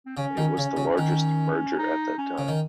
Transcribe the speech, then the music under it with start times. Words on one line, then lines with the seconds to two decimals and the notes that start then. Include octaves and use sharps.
It was the largest merger at that time.
0.06 C4
0.17 C#3 C#4
0.37 D#3
0.57 C#3
0.77 C#3
0.98 D#3
1.78 D#4
2.18 C#4
2.38 C#3
2.48 D#3